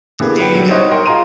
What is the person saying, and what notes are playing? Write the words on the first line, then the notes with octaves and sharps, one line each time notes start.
There you go.
D3 E3 A#3 B3 G4 G#4
B4 F#5 G5
F#3 G3
D#4 F#4 C5 C#5 D#5
A#4 D#5 F#5 G5 C6
F4 G#4 A#5 C6 D#7